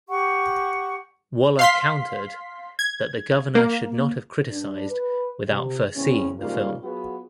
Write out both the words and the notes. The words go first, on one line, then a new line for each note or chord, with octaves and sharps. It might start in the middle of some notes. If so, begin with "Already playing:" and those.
Waller countered that the Governor should not have criticized without first seeing the film.
G4 F#5 C#6
F5 C6 B6
G#6
A#3
G2 D4
B4
C3
E2 A2 C#3 C4 C#4
G#2 C#3 F3 G3 A#3 F4
F#3 B3 F4 F#4 G#4 B4